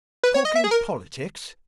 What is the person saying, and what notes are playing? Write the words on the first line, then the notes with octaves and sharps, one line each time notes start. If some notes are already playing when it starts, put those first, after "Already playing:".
"Talking politics?"
B4
C#5
D#5
E5
G#4
A#4